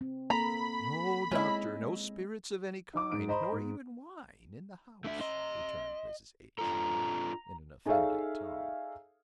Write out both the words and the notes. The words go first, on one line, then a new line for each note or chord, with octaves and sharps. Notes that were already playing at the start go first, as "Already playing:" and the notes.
"No, doctor, no spirits of any kind, nor even wine, in the house," returned Mrs. H--, in an offended tone.
C4
A#3 A4 A#5 B5
G#3 C4 C#4 E4 D#5
D#4 D6
G#2 D7
C5 D#5 A#5 B5
G#2
A3 D4 E5
D#5 E5 C6
D4 F4 A4 A#5
D#4 G#4 A4 C#5 E5 F5